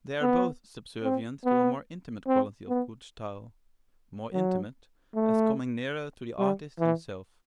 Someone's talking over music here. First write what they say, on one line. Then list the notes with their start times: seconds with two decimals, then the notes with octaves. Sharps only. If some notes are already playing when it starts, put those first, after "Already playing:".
They are both subservient to a more intimate quality of good style: more intimate, as coming nearer to the artist himself.
0.22 B3
1.04 C4
1.45 B3
2.27 C4
2.69 B3
4.33 F#3
5.15 A3
6.39 G3
6.79 E3